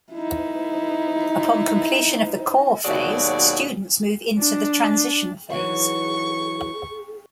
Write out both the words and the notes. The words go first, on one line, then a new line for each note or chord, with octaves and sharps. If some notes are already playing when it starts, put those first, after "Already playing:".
Upon completion of the core phase, students move into the transition phase.
D#4 E4
D#2 B2 F#3 F#4 G#4 D5
D4
E3 F#3 D#4 C#6